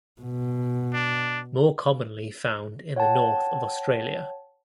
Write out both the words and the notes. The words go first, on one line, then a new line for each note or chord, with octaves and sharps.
More commonly found in the north of Australia.
B2
D4
C#5 F#5 G5 A5